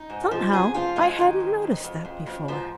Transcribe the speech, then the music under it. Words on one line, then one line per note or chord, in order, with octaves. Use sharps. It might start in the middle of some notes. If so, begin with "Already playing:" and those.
Somehow I hadn't noticed that before.
Already playing: D#4
G#2
F3
G#2 G#4
F3 F4
F3 G#3
D#3
F2
F2
F2
F2
F2
G#2 F3